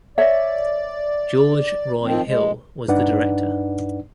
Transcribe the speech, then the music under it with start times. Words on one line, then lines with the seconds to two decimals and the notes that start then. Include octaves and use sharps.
George Roy Hill was the director.
0.18 C#5 D5 E5
2.03 D#3 F3 C4
2.27 G#3
2.88 G2 D4 D#4 B4 D5 F#5